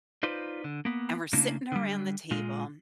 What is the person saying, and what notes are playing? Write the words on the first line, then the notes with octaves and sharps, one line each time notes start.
and we're sitting around the table,
D#4 F4 B4 C5 D5
D3
A#3 B3
C#3 A3 A#3 C#4 D4 E4
D3 G3
A#2 G#3 F4